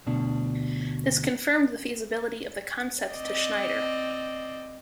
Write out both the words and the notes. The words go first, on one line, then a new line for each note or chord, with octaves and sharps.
This confirmed the feasibility of the concept to Schneider.
D2 B2 D4
C4 D5 D#5